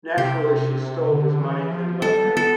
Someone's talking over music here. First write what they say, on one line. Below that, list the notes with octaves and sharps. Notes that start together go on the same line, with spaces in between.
Naturally, she stole his money and left him.
C3 G4
D3
E3
F3
G3 A4
B3
A4